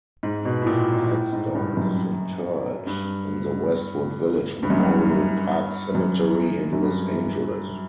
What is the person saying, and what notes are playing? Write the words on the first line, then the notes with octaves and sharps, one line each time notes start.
Milestone is interred in the Westwood Village Memorial Park Cemetery in Los Angeles.
G#2
B2
A2
A#2
A2
G#2
G2
F#2
G2
G2
F#2
G2
F#2
F#2
G2